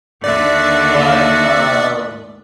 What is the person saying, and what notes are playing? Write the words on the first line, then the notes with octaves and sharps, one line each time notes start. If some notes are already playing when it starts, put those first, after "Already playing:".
But, um,
D#2 D3 F#4 D5 E5